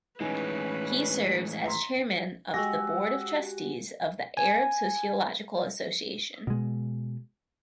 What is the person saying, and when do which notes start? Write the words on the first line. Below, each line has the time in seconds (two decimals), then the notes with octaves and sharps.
He serves as Chairman of the Board of Trustees of the Arab Sociological Association.
0.20 A2 E3 G#3 C#4 D#4 B4 G#5
1.65 A#5 C6 B6
2.54 G#3 F#4 G4 F#5 G#5 E6 A#6
4.37 G#5
6.47 B2 G#3